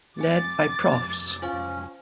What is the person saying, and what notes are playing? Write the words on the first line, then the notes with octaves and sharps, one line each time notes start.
Led by Profs.
C4 G#5 D6 A6
C#4 F4 C5 F5